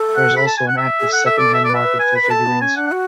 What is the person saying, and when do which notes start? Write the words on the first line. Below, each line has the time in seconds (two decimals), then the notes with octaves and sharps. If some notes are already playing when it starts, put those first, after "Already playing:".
There is also an active second-hand market for the figurines.
Already playing: A4
0.16 F#5
0.37 B5
0.47 A5
0.57 G#5
0.68 F#5
0.77 E5
1.00 G#4
1.08 A4 F#5
1.26 E5
1.38 D5
1.54 E5
1.64 D5
1.70 B4 E5
2.00 G#5
2.16 B5
2.22 B4
2.30 A4 A5
2.46 B3
2.61 C#4 G#5
2.76 D4 F#5
2.87 F#5
2.92 F#4